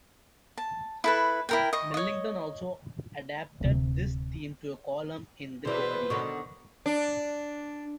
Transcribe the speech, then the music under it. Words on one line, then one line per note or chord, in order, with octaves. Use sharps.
Millington also adapted this theme to a column in "The Guardian".
A5
E4 A4 B4
E4 A#4 G5
D#5 C#6
C#5 D#5
D1 D2 C3
B2 E3 G#4 B4 C5 D5
B2 D3 D#3 C#6
D4